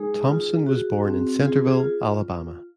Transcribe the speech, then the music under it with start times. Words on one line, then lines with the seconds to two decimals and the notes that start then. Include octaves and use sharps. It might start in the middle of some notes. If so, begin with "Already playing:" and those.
Thompson was born in Centreville, Alabama.
Already playing: G#3 D#4 G#4
0.28 F4
0.66 F#4
1.04 C4
1.42 F4 G#4
1.68 G#4
1.80 F4